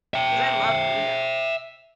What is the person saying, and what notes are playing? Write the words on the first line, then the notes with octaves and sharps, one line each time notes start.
'cause I love UNO,
E5 G5